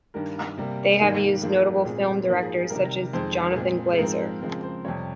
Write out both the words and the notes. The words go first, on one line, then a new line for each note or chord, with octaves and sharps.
They have used notable film directors such as Jonathan Glazer.
G2 D#3 G3 A#4
C3 G3 A#3
G#2 D#3 G3 A#3
G#2 F3 A#3 G#4
A#2 G#3 C4 G#4
G#2 F3 A#3 A#4
G#4
G#4
C3 D#3 G3 A#4
F2 D#3 G#3 C5
A#4
A#2 G#3 C4 G#4
G#4
G#2 F3 G#3 C4 A#4
C#3 F3 G#3 C4 A#4
C5
F2 C3 G3 C#5